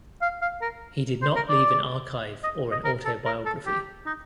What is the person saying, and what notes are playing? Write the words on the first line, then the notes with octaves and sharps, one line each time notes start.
He did not leave an archive or an autobiography.
F5
F5
A#4
C5
A#4
D5
D#5
D#5
A#4
A4
A#4
A4
G4
D#4